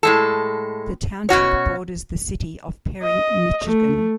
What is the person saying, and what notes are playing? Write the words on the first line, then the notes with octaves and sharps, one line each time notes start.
The township borders the city of Perry, Michigan.
A2 G#3 A4
B2 C#4 F#4 C#5
D#5
A3